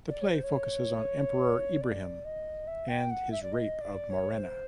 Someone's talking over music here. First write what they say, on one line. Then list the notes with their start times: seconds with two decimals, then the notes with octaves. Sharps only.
The play focuses on Emperor Ibrahim and his rape of Morena.
0.10 D5
0.21 C#5
0.32 C5
0.43 C#5
1.81 D5
2.25 D#5
2.67 E5
2.88 G5
3.10 F#5
3.31 E5
3.42 D5
3.52 D#5
3.81 D5
4.10 C#5
4.38 C5